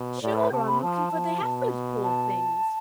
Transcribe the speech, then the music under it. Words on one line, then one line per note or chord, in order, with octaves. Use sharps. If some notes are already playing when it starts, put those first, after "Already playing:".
"Sure, I'm looking for the heifers, poor things!"
Already playing: B2
C5
A2 D5
E5
C3 A5
B5
F3 A5
F3
B2
A5